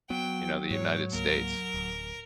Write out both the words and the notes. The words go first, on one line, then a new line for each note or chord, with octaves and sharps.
you know, t he United States.
F#3 B3 G5
G#2 C#5
C#2 G#2 A#3 A#4
D1